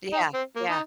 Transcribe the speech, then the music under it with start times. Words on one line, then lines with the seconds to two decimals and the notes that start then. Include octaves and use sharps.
Yeah, yeah.
0.13 D#4
0.34 C4
0.56 A#3
0.70 D#4